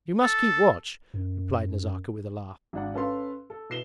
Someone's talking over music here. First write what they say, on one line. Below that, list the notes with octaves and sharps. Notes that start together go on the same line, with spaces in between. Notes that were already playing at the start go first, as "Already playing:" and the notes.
You must keep watch,' replied Nazarka with a laugh.
A4
F#2
G#1 D4 F#5
C#4 A4 B4 F5 C6
A4
B2 E4 C7 E7 G7